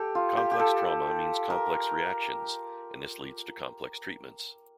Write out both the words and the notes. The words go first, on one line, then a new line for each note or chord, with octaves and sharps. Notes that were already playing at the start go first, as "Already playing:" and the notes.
Complex trauma means complex reactions and this leads to complex treatments.
Already playing: G4 A4
F4
G4
G4
A4
A#4